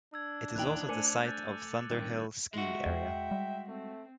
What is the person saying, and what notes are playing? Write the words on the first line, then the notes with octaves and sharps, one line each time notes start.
It is also the site of Thunderhill Ski Area.
D4 E6 G#6
D#2 A#2 E3 D#4 G5 F#6 F7 F#7
A3 C5 G#5 D6 C#7 D#7
F#6 G6 A6
G2 D#3 C4
G#3 F#4 E5
E2 G5
G3
A3 C4